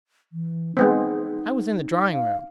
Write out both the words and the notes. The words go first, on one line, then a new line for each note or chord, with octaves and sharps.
"I was in the drawing-room."
E3
G#3 B3 C4 D#4
F5